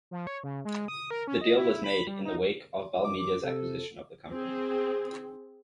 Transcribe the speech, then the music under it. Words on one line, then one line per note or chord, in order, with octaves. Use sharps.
The deal was made in the wake of Bell Media's acquisition of the company.
F3
C#5
C#3
G#3
D#6
A#4
C#4
D#5
E4
B5
G3
D#4
F#2 D6
C3 A4
C4 G#4